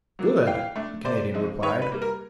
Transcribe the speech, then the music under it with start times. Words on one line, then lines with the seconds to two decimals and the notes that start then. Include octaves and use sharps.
"Good!" the Canadian replied.
0.19 F#3 A#3 D4
0.47 E3 F5 G5
0.76 A3 D4
1.05 C3 C5 D5
1.34 F3 G#3 C4 D#4
1.62 D#3 B4 C#5
1.82 B4
1.92 G3 A#3
2.02 A#4